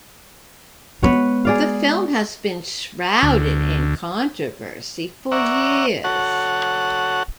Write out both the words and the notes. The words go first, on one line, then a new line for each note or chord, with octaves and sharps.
The film has been shrouded in controversy for years.
G#3 B3 B4 C#5 F#5
G#4 D5 F5
D2
D5 E5 F#5 A#5 C#6
F#4 A4 C#5 F#5